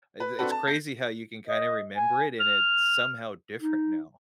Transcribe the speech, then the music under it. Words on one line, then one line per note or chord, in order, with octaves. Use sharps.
uh, it's crazy how you can kinda remember it, and it's somehow different now.
B4
C4 D4 F#4 A4 B4
A5
G6 A#6 C7
D#5
G#5
F6
D#4